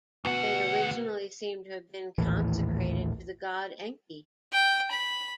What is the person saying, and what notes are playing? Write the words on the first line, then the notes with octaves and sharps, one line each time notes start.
They originally seem to have been consecrated to the god Enki.
D2 B2 F#5
A#1 D#2 A2 E3
G5
B5